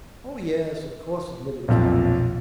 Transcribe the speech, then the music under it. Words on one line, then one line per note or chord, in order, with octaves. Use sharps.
"Oh, yes, of course!" admitted Carroll.
B1 F2 A#2